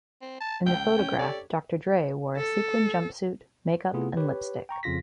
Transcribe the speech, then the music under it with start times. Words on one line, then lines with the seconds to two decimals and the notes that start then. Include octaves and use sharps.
In the photograph Doctor Dre wore a sequined jumpsuit, makeup, and lipstick.
0.22 C4
0.40 A5
0.66 C#2 G5
0.99 C#4
1.19 G4 A4 C#5 D5
2.37 A4
3.93 C3 A3 B3 E4 F4 G#4
4.17 G4 B4 C#5
4.69 G5 A#5 C#6
4.83 F2 C#3 F4 A#6 B6